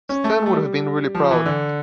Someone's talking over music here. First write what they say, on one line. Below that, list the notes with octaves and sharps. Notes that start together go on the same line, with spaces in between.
Stan would have been really proud.
C#4
A3
A3
G3
F3
E3
D3